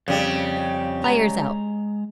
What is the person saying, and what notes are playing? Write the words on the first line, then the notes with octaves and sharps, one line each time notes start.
Fire's out!
F2 C#3 G3
G#3 A#5